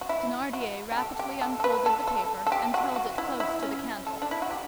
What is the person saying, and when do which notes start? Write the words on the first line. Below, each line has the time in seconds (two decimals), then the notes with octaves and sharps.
Thenardier rapidly unfolded the paper and held it close to the candle.
0.01 F#4
0.09 E4
0.53 F#4
0.92 G4
0.97 A4
1.19 G4
1.41 A4
1.60 A4
1.64 B4
1.86 A4
2.07 A4
2.47 A4
2.52 G4
2.74 F#4
2.96 F#4
3.18 E4
3.40 E4
3.63 C#4
4.07 A4
4.22 D4
4.31 E4
4.42 F#4
4.51 G4